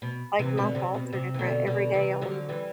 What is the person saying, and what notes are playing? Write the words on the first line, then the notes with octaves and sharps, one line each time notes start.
like, my thoughts are different every day on
B2
C3 E3
B2 D3
C3
B2
C3
E3
B2 D3
B2 D3
C3 E3
D3 F#3
E3 G3